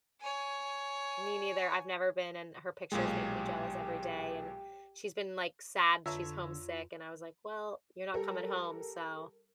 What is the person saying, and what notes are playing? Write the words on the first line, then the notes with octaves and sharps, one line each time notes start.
Me neither, I've never been, and her pictures make me jealous every day, and she's been, like, sad, she's homesick, and I was like, "Well, you're not coming home, so
C#5 G#5
B1 A#2 G#3 G4
F2 D3 F4 B4 C#5 E5 A#5
G3 G4 A4 A#4